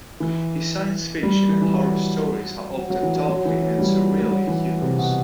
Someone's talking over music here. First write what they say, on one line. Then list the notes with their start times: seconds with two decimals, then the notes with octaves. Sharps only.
His science fiction and horror stories are often darkly and surreally humorous.
0.20 E3
1.23 G3
1.49 E3
1.62 E3
1.74 F#3
2.77 F#3
2.90 F#3
3.03 E3
3.15 F#3
3.29 F#3
3.45 E3
3.62 F#3
3.79 G3
4.21 G3
4.31 F#3
4.47 E3
4.82 C3
4.99 B2